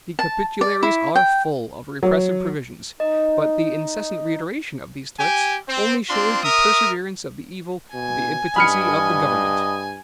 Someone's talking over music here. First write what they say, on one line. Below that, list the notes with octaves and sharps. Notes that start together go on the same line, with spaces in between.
The Capitularies are full of repressive provisions; but the incessant reiteration of these threats only shows the perseverance of the evil and the impotency of the government.
A5
D5
E4
G5
F#3
D#4 D#5
G4 G5 G#5
C4
C4 D4 F4 C6
A#4 E5 D#6
B2 G#5
G2 D#5 B5 F6 C#7